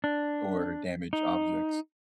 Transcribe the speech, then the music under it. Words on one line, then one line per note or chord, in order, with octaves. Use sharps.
or damage objects.
D4
D#4